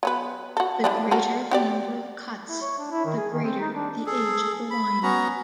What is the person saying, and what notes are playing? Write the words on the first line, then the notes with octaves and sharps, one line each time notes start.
The greater the number of cuts, the greater the age of the wine.
F#3 B3 B4
F#4 A4
E3 G3 D4
F#4 A4 A#4
F#4 G4 D5
E4
C#5
D4
E4
D#3
G#4
D#3
C4
D#4
D4
G#4 A4
B5
B3 C#4 F#4 A#5